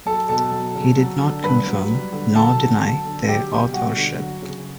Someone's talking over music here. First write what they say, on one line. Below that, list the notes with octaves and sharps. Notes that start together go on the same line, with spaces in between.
He did not confirm nor deny their authorship.
F#3 A4 A5
B2 A4 A5
F#3
C#3
F#3
D3
G2 B4 B5
F#3
G3
D3
F#3 A4 A5
D3
F#3
D3
F#3 G4 G5
B2
G3 F#4 F#5
D3
F#3
C#3